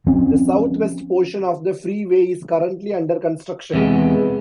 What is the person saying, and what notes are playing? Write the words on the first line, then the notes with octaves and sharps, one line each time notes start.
The southwest portion of the freeway is currently under construction.
F3 C4 C#4
E2 C3 G#3 B3